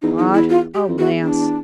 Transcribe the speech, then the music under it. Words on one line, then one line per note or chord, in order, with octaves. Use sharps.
But alas!
E2 D#4
D#4
E4
F4
G4
F2
E2 F#4
D4